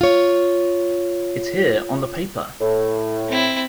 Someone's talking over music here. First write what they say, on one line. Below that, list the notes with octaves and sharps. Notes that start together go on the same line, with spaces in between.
It's here — on the paper!
F4 C#5
A2
C4 E4